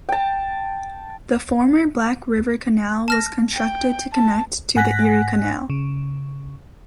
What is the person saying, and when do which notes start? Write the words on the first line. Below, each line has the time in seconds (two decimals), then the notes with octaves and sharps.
The former Black River Canal was constructed to connect to the Erie Canal.
0.09 G5 A5
3.08 A5 F6 A#6
3.54 G5
4.13 A5
4.76 G#2 F#5 G#5 F#6 A#6 B6
5.70 C#3